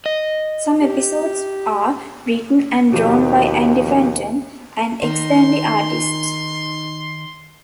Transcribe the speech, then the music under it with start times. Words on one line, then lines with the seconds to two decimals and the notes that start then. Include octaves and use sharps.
Some episodes are written and drawn by Andy Fanton, an ex-Dandy artist.
0.06 D#5
0.81 G4
2.92 D#2 B2 F3 G4
5.03 D#3 D#4 C6